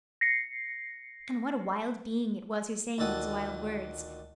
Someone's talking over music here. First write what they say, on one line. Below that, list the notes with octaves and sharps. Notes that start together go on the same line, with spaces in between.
And what a wild being it was who sang these wild words!
A#6 C7 C#7
D2 A#2 D#3 A4 F#5 D#6